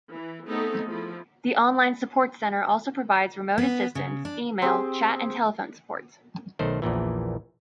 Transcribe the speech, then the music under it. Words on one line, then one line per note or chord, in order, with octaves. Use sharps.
The online Support Center also provides remote assistance, email, chat and telephone support.
E3
A3 B3 C4 D#4 G#4 A4
F3 E4
B3
C#3
D4
C4 G4 G#4
B1 D#3 A3 C5
A#1 E2 A#2 E3